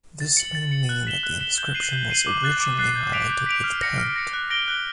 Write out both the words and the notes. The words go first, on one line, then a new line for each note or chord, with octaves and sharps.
This may mean that the inscription was originally highlighted with paint.
A6
C#7 F#7
A6
C#7 F#7
F#6
B6 E7 G7
F#6
B6 E7 G7
G6
C7 D#7 F#7
G6
C7 D#7 F#7
D6
F#6 A6 C7
D6
F#6 A6 C7
G6
B6 D7 F7
G6
B6 D7 F7
F6
A#6 C#7
F6
A#6 C#7
F#6
A#6 D7 G7
F#6